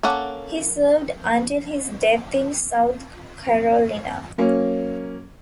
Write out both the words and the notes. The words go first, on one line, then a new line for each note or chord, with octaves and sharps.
He served until his death in South Carolina.
A#3 C#4 A4 F#5
F#3 A#3 C#4